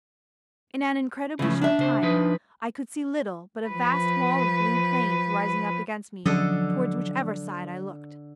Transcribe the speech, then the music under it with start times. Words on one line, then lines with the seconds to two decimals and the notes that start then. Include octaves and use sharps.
In an incredibly short time, I could see little but a vast wall of blue plains rising up against me, towards whichever side I looked.
1.39 C#3 E3 F3 A3
1.61 D4 E5
1.78 C#3 C5
2.03 F3 D#4 B4
3.68 F3 B4
6.25 D3 F3 F#3 C#4 A4 D#5